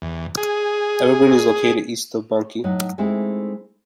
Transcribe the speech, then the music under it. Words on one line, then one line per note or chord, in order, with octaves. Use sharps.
Evergreen is located east of Bunkie.
E2
G#4
A2 F#3 D#4 F#5
G#3 A3 C4 D#4 E4